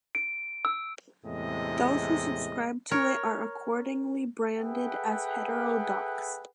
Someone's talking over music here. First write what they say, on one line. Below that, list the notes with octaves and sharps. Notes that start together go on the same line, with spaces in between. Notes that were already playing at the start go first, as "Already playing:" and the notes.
Those who subscribe to it are accordingly branded as heterodox.
D7
E6
E2 A2 C3 G#3 D#5
A#4 C#5
G#4 A4 B4 E5 F#5 G5